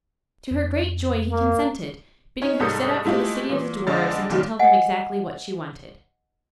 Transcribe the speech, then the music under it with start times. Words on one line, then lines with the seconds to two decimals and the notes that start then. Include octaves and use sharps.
To her great joy he consented, bidding her set out for the city of the dwarfs and to tell them exactly what she wanted.
0.51 F2
1.31 A#3
2.42 C#4 D#4 C#5
2.60 C2 G#2 A4 D#6 G6 C#7
3.05 G#3 A3 E4 F4 G4
3.49 A#2 E3
3.87 F2 D3 G#3 A6
4.29 C2 F2 A#2 D#3 F#3
4.59 D#5 F#5 G#5